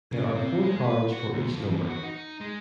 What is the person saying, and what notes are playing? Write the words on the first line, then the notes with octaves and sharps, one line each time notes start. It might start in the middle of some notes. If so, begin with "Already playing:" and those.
There are four cards for each number.
C#3
C3
G#3
B4
F#4
D2
F2
E2
F#4
D#4
G#3